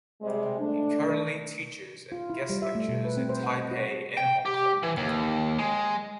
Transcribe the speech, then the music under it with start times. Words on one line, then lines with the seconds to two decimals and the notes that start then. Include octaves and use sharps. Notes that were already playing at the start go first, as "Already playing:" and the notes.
He currently teaches and guest lectures in Taipei and Hong Kong.
0.22 C3 G3 G#3
0.59 A3 D4
2.12 F4
2.30 E4
2.50 G3
2.62 E5
2.75 A3
2.88 B2
3.05 B4
3.17 C4
3.29 C5
3.44 F#5
3.58 D#5
3.71 F#4
4.17 G5
4.46 G4
4.83 E3
4.97 D#2
5.59 G#3